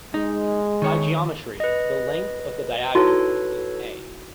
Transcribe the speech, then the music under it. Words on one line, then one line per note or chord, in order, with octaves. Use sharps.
By geometry, the length of the diagonal is "a".
G#3 D#4
D#3 C#5
B4 D#5
D#4 E4 F#4 A4 B4 C#5